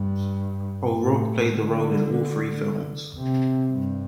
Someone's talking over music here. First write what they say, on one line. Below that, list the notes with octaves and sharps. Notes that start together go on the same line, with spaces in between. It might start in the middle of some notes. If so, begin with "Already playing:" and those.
O'Rourke played the role in all three films.
Already playing: G2
A2
D3
C3
G2